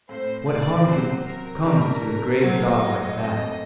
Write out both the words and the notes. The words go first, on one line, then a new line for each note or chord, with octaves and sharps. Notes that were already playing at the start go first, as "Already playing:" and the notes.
"What harm could come to a great dog like that?"
A2 A3 C4 C5
D5
C3 F#3 C4 C5
A#4
C3 G3 D4 A#4
A#2 F#3 A3 C5
D#5
A#2 A3 C4 D#5